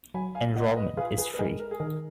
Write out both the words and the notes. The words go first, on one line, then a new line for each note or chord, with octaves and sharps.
Enrollment is free.
F#3 G#5 B5
F5 G#5
A#2 D#5 F#5
B4 D#5
F4 G#4 B4
G#4 B4
B4
G#3 A#4
A#4
G#4
D#3 A#4